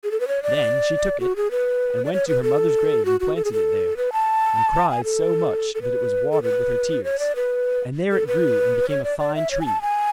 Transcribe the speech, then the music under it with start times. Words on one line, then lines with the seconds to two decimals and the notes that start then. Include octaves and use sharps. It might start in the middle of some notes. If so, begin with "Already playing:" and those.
Then she took it, and went to her mother's grave and planted it there; and cried so much that it was watered with her tears; and there it grew and became a fine tree.
0.04 G#4
0.11 A4
0.20 B4
0.28 C#5
0.43 D5
1.20 F#4
1.36 G#4
1.51 B4
2.05 D5
2.13 C#5
2.28 B4
2.43 A4
3.05 F#4
3.20 F#4
3.36 A4
3.44 G#4
3.53 A4
3.97 B4
4.13 A5
4.90 G#5
5.04 A4
5.75 A4
5.82 B4
6.32 A4
6.43 B4
7.04 C#5
7.19 D5
7.36 B4
8.12 A4
8.27 B4
8.89 C#5
9.04 D5
9.19 D5
9.35 E5
9.51 C#5
9.61 G#5
9.66 A5
9.82 G#5